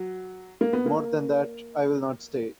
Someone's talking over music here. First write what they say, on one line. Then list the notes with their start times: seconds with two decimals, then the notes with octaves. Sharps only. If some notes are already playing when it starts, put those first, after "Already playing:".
More than that, I will not say.
Already playing: F#3
0.61 A#3
0.73 B3
0.86 A#3